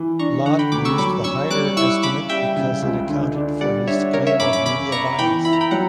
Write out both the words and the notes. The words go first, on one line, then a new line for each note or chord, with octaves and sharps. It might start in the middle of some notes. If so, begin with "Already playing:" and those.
Lott used the higher estimate because it accounted for his claim of media bias.
Already playing: E3
D4 A#5 C#6
D3 F#5 A#5
G5 B5
D2 B5 D6
C#6 E6
F#3 B5 D6
C#4 C#6 E6
G3 D6 F#6
E4 C#6 E6
C#3 B5 D6
G3 E5 G5
C#3
C#2
D3
D4
G3 D5 F#5
D4 C#5 E5
C#3 A#4 C#5
C#5 E5
F#2 B5 D6
B5 D6
C#3 B5 D6
B3 A#5 C#6
E3 G5 B5
E4 B5
A#5
G5 B5
F#3 F#5 A#5